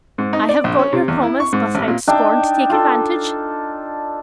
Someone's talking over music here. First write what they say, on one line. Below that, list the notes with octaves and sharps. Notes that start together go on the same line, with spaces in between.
I have got your promise, but I'd scorn to take advantage.
G#2
D#4
D5
A#1
C#4
C3
E2
E4
C#6
G#2
A1
A#2
D4 D#4 E5 G5
F4 A4